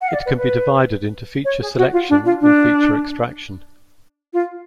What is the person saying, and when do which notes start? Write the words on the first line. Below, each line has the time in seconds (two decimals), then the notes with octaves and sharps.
It can be divided into feature selection and feature extraction.
0.01 F#5
0.08 F5
0.13 D5
0.26 B4
0.37 B4
1.45 C#5
1.61 G#4
1.77 F#4
1.92 F4
2.09 D4
2.25 F4
2.41 D4
4.33 F4